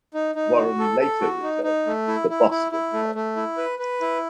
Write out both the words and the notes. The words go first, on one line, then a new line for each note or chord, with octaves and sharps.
Warren later returned to the Boston area.
D#4
D#4
F#4
A4
A4
F#4
D#4
D#4
A3
E4
E4
E4
E4
A3
A3
E4
B4
B4
E4